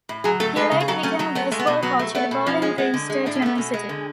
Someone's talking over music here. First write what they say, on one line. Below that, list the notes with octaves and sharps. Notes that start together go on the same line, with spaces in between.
He later became a baseball coach at Bowling Green State University.
A2
F#3 G#4
A3 A4
G#3 B4
C#3
G#4
F#3 A4
A3 C#4
F#3 A3
A3 B3
G#3 A3
B3
B2 A3
F#3 B3
A3
A3 B3
B2
F3 C#4
G#3 C#4
G#3 B3
D3
G#3
A2 D4
C#4
A3 B3
B2 C#4
G#3
D3